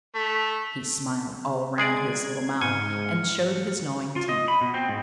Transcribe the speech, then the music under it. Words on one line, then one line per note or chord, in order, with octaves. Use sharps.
He smiled all around his little mouth and showed his gnawing teeth.
A3
G#3 G#4 D5 G#6
G#2 G#5 F6 C#7
F4
D#5
B5
B2
C4
G#2